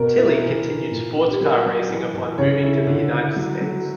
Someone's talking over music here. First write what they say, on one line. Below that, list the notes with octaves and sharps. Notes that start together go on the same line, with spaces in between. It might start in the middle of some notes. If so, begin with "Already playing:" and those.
Tilley continued sports car racing upon moving to the United States.
Already playing: B2 A#4
E4
E3
E3
A#2
D4
G4
F#3 A#4
F#3
E3
E3
C#3 C#5
E4
D3
E4
F#3
F#3